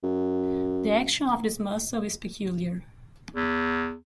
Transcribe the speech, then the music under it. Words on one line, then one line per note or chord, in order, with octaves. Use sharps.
The action of this muscle is peculiar.
F#2
E2